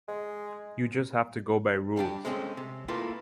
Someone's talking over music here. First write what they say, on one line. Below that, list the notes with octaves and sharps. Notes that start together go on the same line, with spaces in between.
You just have to go by rules.
G#3
G3 D4 G4
G#3 A3 C4 C#4
C3
A3 A#3 E4 F4 B4